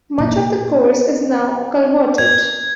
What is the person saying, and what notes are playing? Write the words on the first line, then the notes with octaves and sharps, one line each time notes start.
Much of the course is now culverted.
A#2
G#6